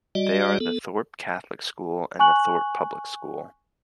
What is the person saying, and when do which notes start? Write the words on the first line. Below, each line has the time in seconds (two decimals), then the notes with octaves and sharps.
They are the Thorp Catholic School and the Thorp Public School.
0.15 G3 F#4 D5 D#5
0.60 B3 A4
2.19 G#5 C#6 F#6 F#7